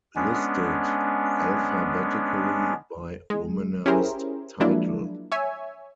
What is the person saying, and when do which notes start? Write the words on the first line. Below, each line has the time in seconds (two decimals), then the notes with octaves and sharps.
Listed alphabetically by romanized title.
0.16 G#3 B3 C#4 D4
3.30 G#3
3.86 C#4 E4 G4 G#4 A#4 C5
4.60 F3 F#3 G#3 A#3 D4 E4
5.32 C#5 E5 G#5